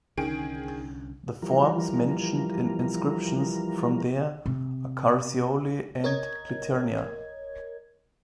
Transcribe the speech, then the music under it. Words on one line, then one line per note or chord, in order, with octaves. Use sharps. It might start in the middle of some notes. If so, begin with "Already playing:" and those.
The forms mentioned in inscriptions from there are Carsioli and Cliternia.
C2 D3 D#3 C#4 G#4 D7
E3 F3 G3 A#4
C3
A#4 C#5 D#5 G#6